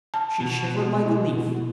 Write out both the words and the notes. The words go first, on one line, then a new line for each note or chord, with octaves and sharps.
She shivered like a leaf.
A5
B2
E4